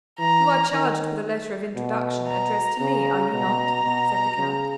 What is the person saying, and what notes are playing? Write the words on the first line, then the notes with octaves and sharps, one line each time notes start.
"You are charged with a letter of introduction addressed to me, are you not?" said the count.
E3 A#5
D#3
B2
A#5
C#3 A#5
B2 A#5
B2
C#3